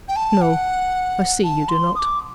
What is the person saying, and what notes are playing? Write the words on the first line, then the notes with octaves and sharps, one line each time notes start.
'No, I see you do not.
G5
A5
F#5
A5
C6
D#6
D6